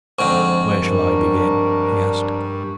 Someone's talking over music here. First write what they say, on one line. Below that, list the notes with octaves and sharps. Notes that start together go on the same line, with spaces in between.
"Where shall I begin?" he asked.
F2 G#2 D3 C#6
G2 D4 A#4